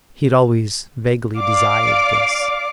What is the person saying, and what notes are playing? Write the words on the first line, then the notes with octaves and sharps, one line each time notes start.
He had always vaguely desired this.
D5 F5 D6